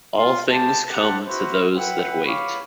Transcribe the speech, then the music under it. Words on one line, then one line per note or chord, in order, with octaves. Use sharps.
All things come to those that wait.
F4 C6
G#3 G4 A5
G4 F#5 A5
E4 F#4 B4 C5
E4 B4 F#5 G5
C#5 F5 B5 C#6 D6